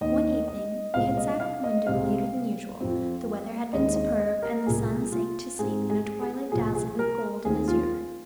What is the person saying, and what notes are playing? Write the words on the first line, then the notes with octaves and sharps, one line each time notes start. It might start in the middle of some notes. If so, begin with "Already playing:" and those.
One evening we had sat at the window later than usual; the weather had been superb, and the sun sank to sleep in a twilight dazzling with gold and azure.
D#2 D#3 A#3 D#5
D#5
C2 A#2 G#3 C4 F5
D#5
F5
D#5
C2 C3 G#3 C4 F5
F2 F3 C4
D#2 D#3 G#3 C4 D#5
D#5
D#5
A#4
C2 A#2 A#3 G#4
F4
G#2 G#3 C4 G#4
G#4
G#4
C2 A#2 F3 G#4
G#4
A#4
D#2 D#3 C4 G#4
F4